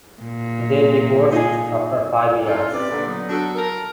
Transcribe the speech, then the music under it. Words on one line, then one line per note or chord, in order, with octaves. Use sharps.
They divorced after five years.
A#2
D#4 F4 G#4
C#4 D#4 F4 A4
C3 B4 D5
A#2 D3
F#3 B3 D#4
D4 F#4 A4
A4 A#4